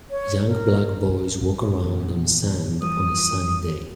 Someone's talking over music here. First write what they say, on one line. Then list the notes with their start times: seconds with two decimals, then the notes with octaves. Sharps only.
Young black boys walk around on sand on a sunny day.
0.10 C#5
0.46 A#4
1.83 E2 A#2
2.82 E3 F3 G3 D#6